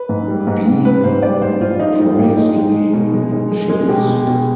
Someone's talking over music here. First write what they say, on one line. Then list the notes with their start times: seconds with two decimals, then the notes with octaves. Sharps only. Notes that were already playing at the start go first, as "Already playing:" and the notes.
B. Priestley shows.
Already playing: B4
0.09 G#2
0.28 G3
0.47 G#2
0.66 G#2
0.85 G3 B4
1.04 G#2 C5
1.23 G3 D5
1.42 G#2 C5
1.60 G#2 F4
1.80 G#2 D#4
1.99 G3 F4
2.17 G#2 G4
2.37 G#3 D#4
2.56 G#3
2.75 G#3
2.93 B2
3.13 G#3
3.32 G#3
3.51 G#3
3.70 G#3
3.88 B2 G4
4.08 G#3
4.27 B2